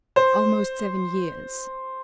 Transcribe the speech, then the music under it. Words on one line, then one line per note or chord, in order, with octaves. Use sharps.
"Almost seven years."
C5